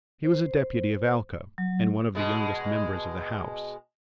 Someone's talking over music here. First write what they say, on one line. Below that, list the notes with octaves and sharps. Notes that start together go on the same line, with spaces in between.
He was a Deputy of Alca, and one of the youngest members of the House.
C5
F#3
B2 G#3